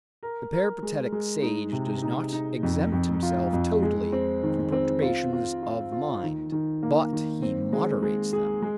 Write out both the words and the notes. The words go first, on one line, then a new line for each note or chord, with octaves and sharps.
The Peripatetic sage does not exempt himself totally from perturbations of mind, but he moderates them.
A#4
A#4
G#3
G#3
D#4
C3
D#4
D#4
F2
F2
F4
F2
G#3
C4
D#3
C4
F4
F4
F4
F4
D#3
D#3
A#3
D#3
C4
G#3
G#3
G#4
G#3